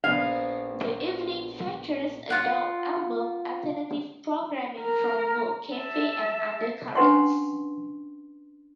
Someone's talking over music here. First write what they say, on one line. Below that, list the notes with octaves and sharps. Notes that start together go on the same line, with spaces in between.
The evening features adult album alternative programming from "World Cafe" and "UnderCurrents".
A#1 B3 F5 G#6
F4 F#5
A#4
E5 A5
C#4 D4 B4 F#5 C6 C#6